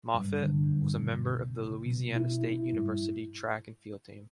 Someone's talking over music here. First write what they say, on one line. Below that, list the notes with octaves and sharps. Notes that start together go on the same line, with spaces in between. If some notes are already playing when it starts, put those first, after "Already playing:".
Moffitt was a member of the Louisiana State University track and field team.
G2
D3
G2
B2
C#2
C#2
B2
E4
E4
G2